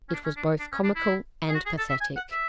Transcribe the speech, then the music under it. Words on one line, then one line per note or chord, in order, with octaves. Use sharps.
It was both comical and pathetic.
C#4
D4
C#4
D4
D4
C#4
D4
E4
G#4
F#4
G#4
A4
E5
G#5
F#5
E5